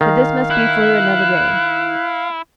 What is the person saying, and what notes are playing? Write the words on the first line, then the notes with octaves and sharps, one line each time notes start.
But this must be for another day.
D#3 F5
E4 F#6